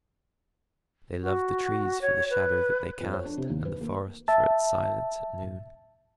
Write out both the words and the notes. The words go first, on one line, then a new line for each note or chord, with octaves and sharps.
They loved the trees for the shadow that they cast, and the forest for its silence at noon.
F#4
C#5
B4
F2
C#5
D4
C3
D#2
B4
A#3
E5 A5